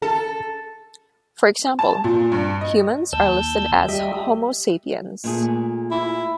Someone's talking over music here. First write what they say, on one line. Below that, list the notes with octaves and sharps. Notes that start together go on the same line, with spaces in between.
For example, humans are listed as "Homo sapiens".
A4
A5
A#2
G2
D#5
D#2 A5 E6 G6
G3 G4 D#5 E5
A#2 A3 G#4
E4